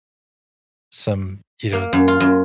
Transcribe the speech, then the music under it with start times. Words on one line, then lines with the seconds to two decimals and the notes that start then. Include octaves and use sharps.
some, you know
1.73 A#3
1.93 F#2
2.08 F4
2.20 F#2